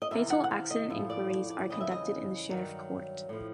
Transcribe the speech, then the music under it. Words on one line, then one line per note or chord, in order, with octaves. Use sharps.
Fatal accident inquiries are conducted in the Sheriff Court.
D#5
E2 C3 D#3 E5
F#5
F#5
F5
D#5
A2 F3 E5
D5
D5
D5
F2 C#3 E3 G3 D#5
E5
D#5
G2 D#3 F#3
A2 F3